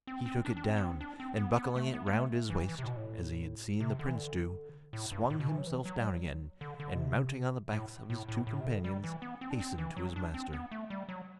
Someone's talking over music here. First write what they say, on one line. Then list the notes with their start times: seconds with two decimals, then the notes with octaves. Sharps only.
He took it down, and buckling it round his waist, as he had seen the prince do, swung himself down again, and mounting on the backs of his two companions, hastened to his master.
0.07 C4
0.26 C4
0.45 D4
0.57 D4
0.64 C4
0.77 B3
0.82 C4
1.01 D4
1.20 C4
1.37 B3
1.57 B3
1.76 A3
1.94 B3
2.06 B3
2.12 A3
2.50 E3
2.69 E3
2.79 C3
2.84 A2
2.88 B2
2.97 A2
3.80 C3
3.99 D3
4.07 E3
4.15 D3
4.93 A2
5.12 G2
5.30 A2
5.40 B2
5.49 E3
5.58 F#3
5.67 E3
5.86 F#3
5.99 G3
6.04 F#3
6.61 D3
6.80 D3
6.94 B2
6.99 C3
7.73 A2
8.10 A2
8.28 A2
8.47 A2
8.61 C3
8.67 D3
8.84 G3
9.04 E3
9.22 B3
9.41 C4
9.50 D4
9.60 C4
9.78 E3
9.97 F#3
10.16 D4
10.34 C4
10.53 B3
10.71 A3
10.90 G3
11.09 F#3